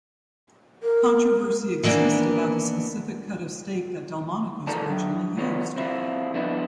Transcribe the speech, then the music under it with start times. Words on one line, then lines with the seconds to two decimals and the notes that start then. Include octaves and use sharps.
Controversy exists about the specific cut of steak that Delmonico's originally used.
0.83 A#4
1.83 D#3 E3 A#3 B3 D4
4.67 D#4 F4 A4 A#4 D5 A5
4.90 F#3 D4
5.37 E3 B3 F4 C#5
5.76 C4 E4 F4
6.34 F3 B3 D4 E4